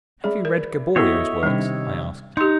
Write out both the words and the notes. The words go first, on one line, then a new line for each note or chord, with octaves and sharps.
"Have you read Gaboriau's works?" I asked.
G#4 D5 E5 B5
A#4
B3 E4 F#4 A4 C#5 D#5 E5
C3 D#3 G3 D4
D#4 G4 C6 C#7